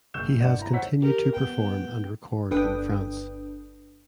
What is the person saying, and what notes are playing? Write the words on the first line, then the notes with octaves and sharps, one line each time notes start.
He has continued to perform and record in France.
F#1 F#2 C#6 E6 G6 E7
F1 G2 D5 F#5 E7
E4 A#5
C5 C#5 D#5 F#5 E6 B6
G4 A#4
B3 G5
G1 D4 A4 B4 G5 D#6